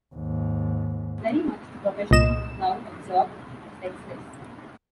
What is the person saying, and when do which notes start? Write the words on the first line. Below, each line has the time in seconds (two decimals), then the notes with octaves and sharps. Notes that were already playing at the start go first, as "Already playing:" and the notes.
Very much the professional now, absorbed, sexless.
0.15 D#2 G#2
2.11 C2 A#2 D#5 E7